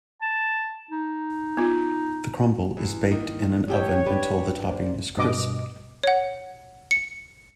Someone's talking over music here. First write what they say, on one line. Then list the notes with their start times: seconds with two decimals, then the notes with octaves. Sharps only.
The crumble is baked in an oven until the topping is crisp.
0.22 A5
0.91 D#4
1.57 B3 F4
2.77 E2
3.11 D#3 A#3
3.68 E2 G4 C#5 G5
4.06 D4 G4 B4
4.64 A#3 C5 D5
5.17 G2 B2 D#5 D6
6.03 C#5 F#5
6.91 C#7